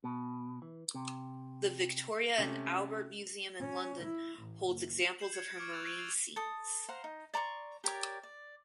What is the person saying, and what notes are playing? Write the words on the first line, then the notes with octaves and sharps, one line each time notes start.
The Victoria and Albert Museum in London holds examples of her marine scenes.
B2
E3
C3
C3 A3 C#4
C#4
E4
A1
F#1
G6 C7 E7 F#7
G#6 C#7
C#6 D6 F6 G#6 C#7 D7
F#6 G6 A6 F7
C#6 E6 G#6 D7 D#7 F#7
A6 C7 F7
A4 D#6
C5 F5 F#5 A#5
D#4
D5 A#5 C6 C#6
G4 A#4 C#5 D5
D5